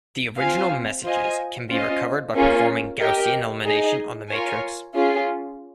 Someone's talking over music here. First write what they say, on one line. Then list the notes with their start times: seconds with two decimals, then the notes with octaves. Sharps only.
The original messages can be recovered by performing Gaussian elimination on the matrix.
0.39 C4 F4 C5 F5 G#5
1.04 F4 C5 D#5 G#5
1.69 C#4 F4 C5 D#5
2.34 A#3 C#4 F4 G#4
2.99 G4 A#4 D#5 G5
3.65 D#4 G#4 D#5 G#5
4.30 F4 A#4 C#5 G#5
4.95 C#4 F4 G#4